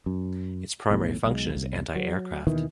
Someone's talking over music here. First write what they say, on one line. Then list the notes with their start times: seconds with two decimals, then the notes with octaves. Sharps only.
Its primary function is anti-aircraft.
0.06 F#2
0.90 B1 E2 A2
1.24 B1 G#3
1.55 C2
1.96 F#3
2.47 D#2 B2 D#3 E3